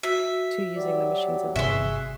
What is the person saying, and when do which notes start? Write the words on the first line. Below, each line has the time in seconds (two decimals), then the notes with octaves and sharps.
to using the machines as well, though.
0.03 F#4 E5
0.76 F#3 G3 D5
1.56 G1 C3 G#4 E5 C6 C#6 F#6